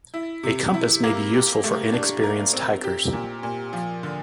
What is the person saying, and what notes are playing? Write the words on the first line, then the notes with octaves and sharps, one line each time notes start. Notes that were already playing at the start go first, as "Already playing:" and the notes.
A compass may be useful for inexperienced hikers.
E4
C3
E4
A#3
G4
A3
D4
A#4
C4
G4
A#2
A#2
F3
D3